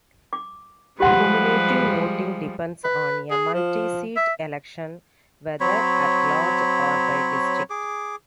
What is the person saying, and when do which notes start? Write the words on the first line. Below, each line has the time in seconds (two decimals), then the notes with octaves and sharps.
Cumulative voting depends on a multi-seat election, whether at-large or by district.
0.33 D6
1.00 F3 G3 G#3 G4 B4 F#5 C6
2.84 B4
3.31 G#4
3.54 F3
4.17 E5
5.60 F#3 C4 C#5 B5
7.70 G#4 D6